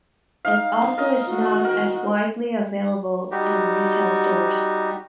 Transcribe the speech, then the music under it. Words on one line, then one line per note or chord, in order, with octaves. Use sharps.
It also is not as widely available in retail stores.
D#4 F5
A#4 D#5
F#4
A#4 G5
G3 D#4 F#4 G4